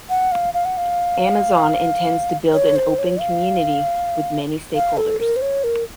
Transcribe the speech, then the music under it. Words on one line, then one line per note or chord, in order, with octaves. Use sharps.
Amazon intends to build an open community with many stakeholders.
F#5
F5
F5
F#5
F5
C#5
C5
C#5
F5
F5
A4
A#4
C5
C#5
A#4